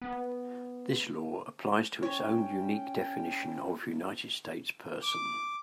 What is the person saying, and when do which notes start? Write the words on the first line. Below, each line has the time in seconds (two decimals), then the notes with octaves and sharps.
This law applies to its own unique definition of United States person.
0.02 B3
2.03 C#4 C#5 G5
5.02 D6